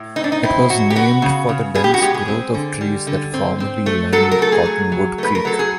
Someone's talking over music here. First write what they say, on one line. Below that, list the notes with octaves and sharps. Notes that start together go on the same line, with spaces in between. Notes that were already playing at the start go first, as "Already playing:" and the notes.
It was named for the dense growth of trees that formerly lined Cottonwood Creek.
Already playing: A2
C4 D#4
D4
D#4
C4 E4
F#3 F#4
G4
B3 F#4
C#3
C#3
B2 G#4
G4
F#4
G#3 G4
G#4
C4
D3
G3
D3
C4
C4
A3
F#3 A4
A#4
A3 A4
G#4
F#3
F#3
A3 B4
A#4
F#3 A4
G#4